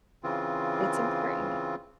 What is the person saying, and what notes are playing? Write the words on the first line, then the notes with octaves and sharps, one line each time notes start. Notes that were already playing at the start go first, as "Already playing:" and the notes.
It's important.
C#3 E3 C4 F4